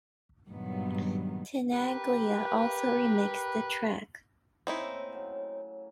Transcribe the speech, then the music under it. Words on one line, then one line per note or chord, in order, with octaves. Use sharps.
Tenaglia also remixed the track.
G2 A#2 D#3 F#3 B3
G4 A#4 B4
A2 C#3 A#3 C4 D#4 E4
C#3 F#3